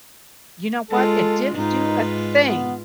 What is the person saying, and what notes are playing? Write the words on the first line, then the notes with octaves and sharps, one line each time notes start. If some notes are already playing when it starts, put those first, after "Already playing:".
You know what? It didn't do a thing
G#3 F4 A4
G#2 D#4 F4 B4
B3